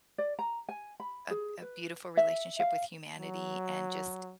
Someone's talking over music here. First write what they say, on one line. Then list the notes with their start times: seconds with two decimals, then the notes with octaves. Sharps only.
a a beautiful relationship with humanity and just
0.18 D5
0.39 A#5
0.69 G#5
1.00 B5
1.30 G#4
1.62 B4
2.17 E5
2.60 F5
3.17 F#3